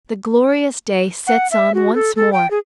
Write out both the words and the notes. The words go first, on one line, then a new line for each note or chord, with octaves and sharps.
The glorious day sets on once more.
F#5
E5
F#4
A4
A4
G5
G#4